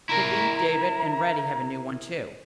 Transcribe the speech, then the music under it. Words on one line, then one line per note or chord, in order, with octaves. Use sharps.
Hippy, David and Reddy have a new one, too.
E4 A#4 A#5